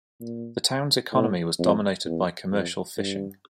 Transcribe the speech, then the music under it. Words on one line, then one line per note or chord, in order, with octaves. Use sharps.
The town's economy was dominated by commercial fishing.
A#2
A2
F2
E2
F2
G2